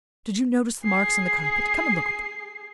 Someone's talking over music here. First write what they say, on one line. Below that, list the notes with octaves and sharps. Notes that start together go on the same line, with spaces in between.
Did you notice the marks on the carpet?--Come and look at them.'
G#4 C7